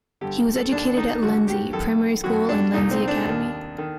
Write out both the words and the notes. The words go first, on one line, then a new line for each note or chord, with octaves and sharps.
He was educated at Lenzie primary school and Lenzie Academy.
G2 D3 G4
G4
A4
D#2 D#3 D4
D#4
G2 D3 F#4
G4
F#2 D#3 A4
F#2 D#3 F#4
D4
C2 A#2 D#4
C4
D4
D#2 D#3
D#3